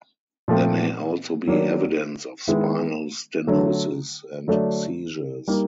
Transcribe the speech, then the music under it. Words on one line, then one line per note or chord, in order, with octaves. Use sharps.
There may also be evidence of spinal stenosis and seizures.
A#2 F3 A3 C4
D#3 F#3 A#3 D4
D#3 G#3 B3 E4
D3 F#3 A3
D3 F#3 A3 D4
G3 A#3 D#4